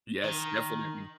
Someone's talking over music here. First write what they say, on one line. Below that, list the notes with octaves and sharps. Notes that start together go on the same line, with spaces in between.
Yes, definitely.
D#3